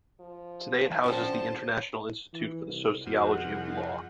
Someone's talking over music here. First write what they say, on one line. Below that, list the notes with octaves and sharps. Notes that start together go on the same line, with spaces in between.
Today it houses the International Institute for the Sociology of Law.
F3
D3 F3 C4 C#4 C5 A5
E3
C2
F2 B2 G#3 F#5
C2